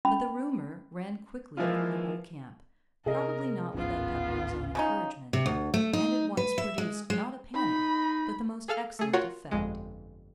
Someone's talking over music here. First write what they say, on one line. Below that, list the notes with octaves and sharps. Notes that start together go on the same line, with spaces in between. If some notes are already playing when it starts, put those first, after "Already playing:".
But the rumour ran quickly through the whole camp, probably not without Pepperrell's own encouragement, and at once produced, not a panic, but the most excellent effect.
C#4 B5
E3 F3 G#3 A#3 E4 F4
C3 G#4 A#4 D#5
D1 G#1 B3 C#4 F4
C#3 C#4 D#4
C3
D2
A3
D#4
B4
E5
G#3
G#3
D#4 B5
G#4 A4 F5 F6
A3 G#4
F4 F#4 A#4 C#5 F#5
G1 F2 G#3